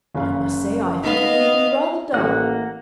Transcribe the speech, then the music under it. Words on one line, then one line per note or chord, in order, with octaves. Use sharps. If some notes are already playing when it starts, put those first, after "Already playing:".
"I must say, I think it will be rather dull."
F#1 C#3 F5
B3 D#4 D#5 F5
A1 A#3 F#5 F#6